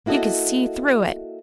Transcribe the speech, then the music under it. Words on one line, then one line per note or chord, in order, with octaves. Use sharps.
"You could see through it."
A#3 E4 F#4 A4 D#5